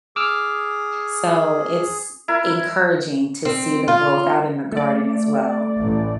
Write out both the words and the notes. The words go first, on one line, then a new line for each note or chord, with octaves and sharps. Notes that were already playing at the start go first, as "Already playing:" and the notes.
So, it's encouraging to see the growth out in the garden as well.
G#4 D6 E6 F6
E4 A#4
C4
F4
A3 D5
A1